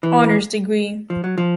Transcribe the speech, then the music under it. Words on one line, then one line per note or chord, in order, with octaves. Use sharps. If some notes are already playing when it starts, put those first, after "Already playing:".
Honors degree.
E3
F3
F#3
F3